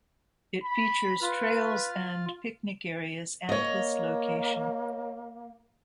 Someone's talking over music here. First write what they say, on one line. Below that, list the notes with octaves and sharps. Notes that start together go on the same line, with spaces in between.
It features trails and picnic areas at this location.
B5
F4 B4
A#3 C#5 D#5